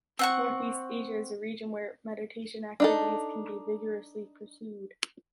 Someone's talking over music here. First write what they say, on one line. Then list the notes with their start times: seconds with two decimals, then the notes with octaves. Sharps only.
North-East Asia is a region where mediation activities can be vigorously pursued.
0.19 C4 F#5 C#6
2.80 D4 D#4 A4